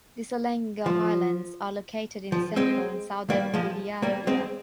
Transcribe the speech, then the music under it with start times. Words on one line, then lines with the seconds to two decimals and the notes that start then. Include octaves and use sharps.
The Selenga Highlands are located in central and southern Buryatia.
0.86 F3
2.32 F3
2.56 G#3 C4
3.30 G3 A#3
3.54 F3 G#3
4.02 G3 A#3
4.27 G#3 C4